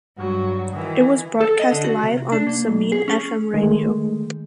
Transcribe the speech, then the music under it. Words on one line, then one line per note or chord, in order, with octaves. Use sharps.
It was broadcast live on Zamin Fm radio.
G2 F#3 F#4
D#3 E3
A4
D#5
D3
F#4
C3
D4
A#3
B1
G#4
C#4
D#3 G#3 A3